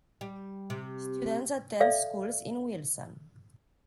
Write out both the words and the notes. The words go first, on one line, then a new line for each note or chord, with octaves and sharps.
Students attend schools in Wilson.
G3
C3
A4 D5 E5 F5